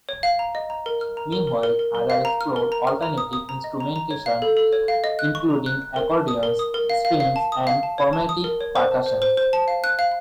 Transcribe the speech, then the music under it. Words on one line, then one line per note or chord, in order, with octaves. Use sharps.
Meanwhile, others explored alternative instrumentation, including accordions, strings and chromatic percussion.
C#5
F5
A#5
D#5
A#5
A#4
F6
A#5
A#4
A#4
A#4
A#4
A#4
F5
A#5
F6
A#4
A#5
F6
A#5
D#6
D#6
A#5
D#5
A#5
A#5
C#5
F5
A4
A4
C#5
F5
D#5
F#6
C#6
A#5
F#6
F#6
A#4
A5
D#6
A#4
D#6
A#4
F5
F5
F5
A5
D#6
F5
A5
C#5
A5
D#6
A#4
C#5
C5
A5
C5
C5
C5
A5
F5
F#6
F5